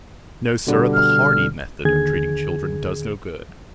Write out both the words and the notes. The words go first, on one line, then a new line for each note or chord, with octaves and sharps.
No, Sir, the hardy method of treating children does no good.
B2 D3 G3
F6
D#2 D3 G#4 G#6